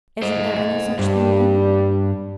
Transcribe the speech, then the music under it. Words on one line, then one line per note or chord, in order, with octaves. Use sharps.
"Isn't there any such thing, then?"
C5 D#5
G2 G3